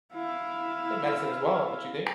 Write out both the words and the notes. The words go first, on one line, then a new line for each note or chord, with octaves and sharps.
than medicine as well, don't you think?
E4 F5